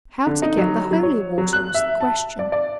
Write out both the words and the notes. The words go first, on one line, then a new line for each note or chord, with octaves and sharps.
How to get the holy water was the question.
D3
D#4
F#3
F#3
C#5
F#3
F#6
E5
A5
D5
D5